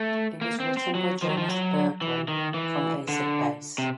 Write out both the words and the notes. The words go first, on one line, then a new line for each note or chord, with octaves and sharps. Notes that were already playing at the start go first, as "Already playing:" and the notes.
It was written by Jonas Berggren from Ace of Base.
Already playing: A3
A#3
C4
C4
F#3
F3
F#3
F3
F#3
E3
D#3
E3
D3
C3